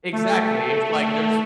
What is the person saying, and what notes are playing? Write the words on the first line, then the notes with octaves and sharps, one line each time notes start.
Exactly, it's, like, there's
A3